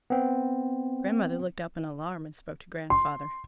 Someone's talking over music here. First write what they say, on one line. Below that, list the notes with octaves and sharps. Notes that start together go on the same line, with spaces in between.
Grandmother looked up in alarm and spoke to grandfather.
B3 C4
C6